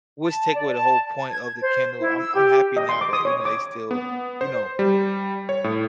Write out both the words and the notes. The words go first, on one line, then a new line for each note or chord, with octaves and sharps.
which take away the whole point of the Kindle; I'm I'm happy now that, you know, they still, you know,
A5
D5
A5
A5
G#6
C5
E4
E6
G4
D#5
C6
D6
D#6
C#5
D6
B3
C5
G3
C#5
A2